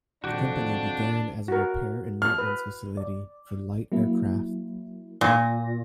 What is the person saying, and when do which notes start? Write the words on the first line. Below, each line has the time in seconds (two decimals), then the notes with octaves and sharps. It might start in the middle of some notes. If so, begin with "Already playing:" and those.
The company began as a repair and maintenance facility for light aircraft.
0.24 D#1 F2 D4 F#4 G4
1.48 F#4 A#4
2.22 F6
2.38 B4
2.97 D5
3.92 F#3 A#3 E4
5.21 A#2 A#6